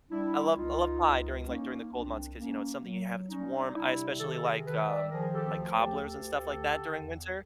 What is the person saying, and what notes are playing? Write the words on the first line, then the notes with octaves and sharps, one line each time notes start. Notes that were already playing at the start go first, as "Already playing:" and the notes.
I love I love pie during, like, during the cold months 'cause, you know, it's something you have that's warm. I especially like, um, my cobblers and stuff like that during winter
G3 D4 E4
C#2 D#4 F4
C#2
A#3 C#4 D#4
C2 C4 D4
A#3 C#4
F#3
G3 C#4 D#4
D#4
C3 D4 E4
D#3 G4 A4
G#4 A#4
D#3 A4 B4
D5 E5
F3 G#4 A#4
G4 A4
D2
G4 A4
D2 G4 A4
D3
E2